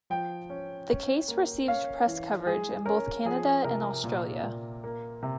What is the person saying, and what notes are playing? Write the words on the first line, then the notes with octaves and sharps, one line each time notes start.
The case received press coverage in both Canada and Australia.
F3 G5
C#4
C#4
A#3
C#4 F5
E3
G#3 G#4
C#4 A#4
F3 G#4
C3 A#4
A#2
A#2
A#3
C3